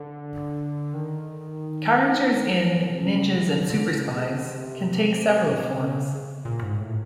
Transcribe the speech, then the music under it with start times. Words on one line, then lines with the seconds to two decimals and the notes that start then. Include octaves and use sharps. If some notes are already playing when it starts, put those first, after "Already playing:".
Characters in "Ninjas and Superspies" can take several forms.
Already playing: D3
0.94 D#3
2.89 C3
3.00 C#3
3.35 C3
3.70 D3
3.93 C#3
4.16 C3
5.77 C#3
6.45 A#2
6.63 G#2
6.80 A2